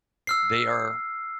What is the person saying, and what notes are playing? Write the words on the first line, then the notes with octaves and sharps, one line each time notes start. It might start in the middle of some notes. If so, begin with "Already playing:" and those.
They are
E6 F6 C7